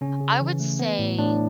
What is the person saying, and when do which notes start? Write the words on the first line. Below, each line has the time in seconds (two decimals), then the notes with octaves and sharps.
I would say
0.01 C#3 C#4
0.20 C#3
0.41 E3
0.60 A3
0.79 B3
0.99 A2
1.19 A2 D4